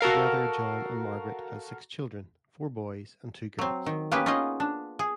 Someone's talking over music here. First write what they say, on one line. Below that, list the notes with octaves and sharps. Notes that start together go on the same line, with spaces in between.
Together John and Margaret had six children, four boys and two girls.
F#4 A4 A#4 F5
F#3 C4
D#3
A#3 B3 C#4 G4 B4
C#4 D#4 F4 G#4 D#5
D4
G#4